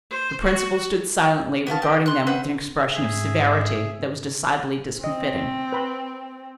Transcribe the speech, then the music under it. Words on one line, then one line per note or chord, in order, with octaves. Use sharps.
The principal stood silently regarding them with an expression of severity that was decidedly discomfitting.
C5
F#4
B3 F#4 F5 A5
G4
C6 F#6
B4 C5 E5 F#5
G#2 G#4 E5
C4 D#5
B4 B5 C6